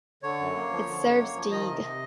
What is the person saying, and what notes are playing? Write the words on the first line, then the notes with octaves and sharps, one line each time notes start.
It serves Deeg.
D3 C#5
F#2
A#3
F3
D3
F#2
A#3
F3
D#3 D#5
C3
C3